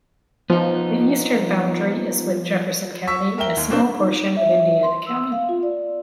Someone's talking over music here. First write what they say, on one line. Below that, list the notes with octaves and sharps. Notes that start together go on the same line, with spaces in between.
The eastern boundary is with Jefferson County and a small portion of Indiana County.
F3 B3 D#4
C#6 E6 B6
A#4 E5 G5 G7
D#2
B2 A#3 C4 D4 C5
D#4
E5
C6
E6
F5
F4
D5